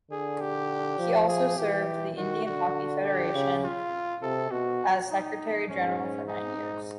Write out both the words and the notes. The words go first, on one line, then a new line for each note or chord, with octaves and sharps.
He also served the Indian Hockey Federation as secretary general for nine years.
D3 G#4
G4
F3
G#4
E3 G4
D#3 F#4
D3 F#4
G4
C#3
F4
C3 A4
B2 F#4
D#4
G#2 C#4
D#4
G#2